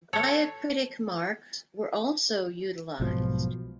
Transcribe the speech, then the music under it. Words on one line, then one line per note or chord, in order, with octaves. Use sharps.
Diacritic marks were also utilized.
A4 C#5
B1 G#2 B2 F3